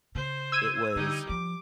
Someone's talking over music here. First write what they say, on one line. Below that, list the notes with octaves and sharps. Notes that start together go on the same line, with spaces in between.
it was
C#3 C5
E6 G#6 D#7
D3 G3 D#4
F3 D6